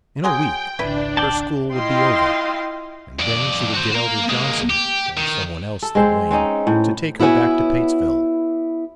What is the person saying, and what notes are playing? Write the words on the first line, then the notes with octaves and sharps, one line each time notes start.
In a week her school would be over, and then she would get Elder Johnson, or some one else than Wain, to take her back to Patesville.
F#3 G#4 G5 C6
G#1 C#2 D4 E4 B4
D5 G5 A5
E4 F4 D#5 F5 G5 C6
F2 D5
F#4 C5
A#3 A#4
G#3 A#3
G4
D#3
A4
G#3 C4 C5
C4 C#4 D#4
A2
B3 E4 F#4 C#5 G#5